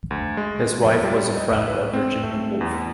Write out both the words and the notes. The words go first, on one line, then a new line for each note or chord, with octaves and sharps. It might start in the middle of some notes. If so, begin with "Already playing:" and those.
His wife was a friend of Virginia Woolf.
D2
G#3
F3
G3
D#5
B4
C4
A3
E2